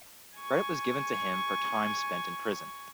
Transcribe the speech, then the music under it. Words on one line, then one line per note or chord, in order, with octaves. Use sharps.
Credit was given to him for time spent in prison.
G#5 C#6